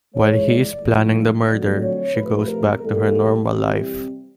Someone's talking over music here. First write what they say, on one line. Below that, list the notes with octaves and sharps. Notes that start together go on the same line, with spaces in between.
While he is planning the murder, she goes back to her normal life.
G#2 E3 G#3 C#5
D5
G#2 F3 A3
F2 D3 F#3 A3 C4 D5
C#5
C3 F3 A3 B4
A#4
G#2 E3 G3 A#3 A4
C3 E3 G3 C4